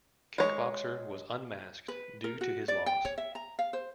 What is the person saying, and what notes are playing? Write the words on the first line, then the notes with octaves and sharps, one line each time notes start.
Kick Boxer was unmasked due to his loss.
G#3 C#5
B4
A#4
F#4
D5
G5
C#5
E5
A#5
F5
C5